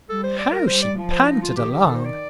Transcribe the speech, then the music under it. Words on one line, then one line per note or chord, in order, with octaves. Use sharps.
How she panted along!
G3 A4
C5
D5
A#4
G3 C5
D5
F3
C5
F4
D#4
F4
D#3 G4
G4
D#3 A4
C5
D5